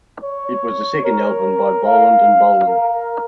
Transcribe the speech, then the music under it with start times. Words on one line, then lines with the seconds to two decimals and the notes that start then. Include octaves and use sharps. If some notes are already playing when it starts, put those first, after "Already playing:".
It was the second album by Bolland and Bolland.
0.24 C#5
1.04 A#4
1.86 F5
2.67 A#4